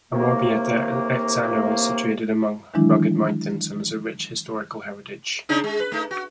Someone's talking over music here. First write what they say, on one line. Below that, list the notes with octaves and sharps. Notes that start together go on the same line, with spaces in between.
Amorebieta-Etxano is situated among rugged mountains and has a rich historical heritage.
A2 C3 D#3 A#3
D#3 E3 F#3 G#3 D4 E4
C#3 D4 D#4
G#3
B4
A3 D#4
F#4